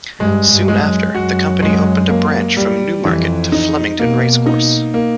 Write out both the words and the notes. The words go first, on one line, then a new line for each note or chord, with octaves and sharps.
Soon after, the company opened a branch from Newmarket to Flemington Racecourse.
G2 G#3
G2
G#3
F#2
F#2 F#4
G#3
A#3
G3
F2 E3
D#4
B2 A#3
D#4
A#3